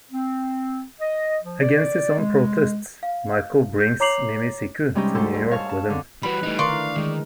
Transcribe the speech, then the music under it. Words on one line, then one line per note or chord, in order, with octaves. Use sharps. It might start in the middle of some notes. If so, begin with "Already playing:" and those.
Against his own protests, Michael brings Mimi-Siku to New York with him.
C4
D#5
F3
D5
G#3
F5
G6
C#5 A#5 D6 C7 F7 F#7
C3 G3 G#3 C#4 D#4 G4
D2 A4 C5 C6
G#2
C#5 F5 A5
A5
D3
E3 G3 F#4 B4 B5
E3 G3 A3 D#4
D3 D#3 A#4 D5 F5 C6 C#6
E4
D#3 G#3